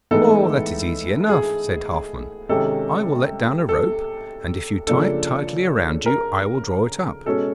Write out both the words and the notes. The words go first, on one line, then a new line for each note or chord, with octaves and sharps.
'Oh, that is easy enough,' said Halfman. 'I will let down a rope, and if you tie it tightly round you, I will draw it up.'
A2 E3 G#3 B3 D#4 A4
G#4
C3 D#3 G#3 C#4 A4
A4
C#3 F3 A#3 D4 A4
A#4
B2 G#3 C#4 A4